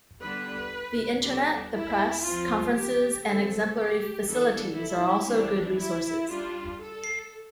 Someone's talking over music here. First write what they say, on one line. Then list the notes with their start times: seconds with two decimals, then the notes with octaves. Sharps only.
The Internet, the press, conferences and exemplary facilities are also good resources.
0.20 D3 G3 B3 D4 B4
1.22 D3 G3 B3 D4
1.72 E4
2.23 F3 C4 F4
2.74 G4
3.25 D3 A3 C4 A4
3.75 G4
4.26 E3 B3 D4 A4
4.76 E4
5.27 E3 G3 C4 D4
5.77 E4
6.29 G3 D4 F4
6.79 A4